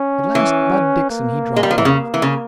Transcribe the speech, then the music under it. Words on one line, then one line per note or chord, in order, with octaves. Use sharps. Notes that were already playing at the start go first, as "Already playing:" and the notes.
At last Bud Dixon he dropped off.
Already playing: C#4
E3
A#3
G#3
G3
F3
E3
C#3 A#3
E3
C#3